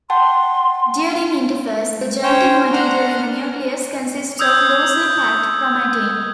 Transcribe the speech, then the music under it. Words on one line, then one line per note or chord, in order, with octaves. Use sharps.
During interphase, the genetic material in the nucleus consists of loosely packed chromatin.
F#5 G5 A5 C6
C#4 C5 C#5 G5
D4 F#5 A#5 C6 F6
D#6 E6 G6 G#6